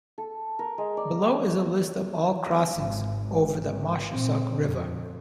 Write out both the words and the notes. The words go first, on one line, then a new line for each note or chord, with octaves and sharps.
Below is a list of all crossings over the Moshassuck River.
A4
A#4
G#3
D5
G5
G#1 G#2
A#2 C4
F2